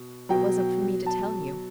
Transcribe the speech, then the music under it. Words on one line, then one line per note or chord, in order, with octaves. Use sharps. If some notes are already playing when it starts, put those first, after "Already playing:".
"It wasn't for me to tell you."
Already playing: B2
B2 F#3 G5
A5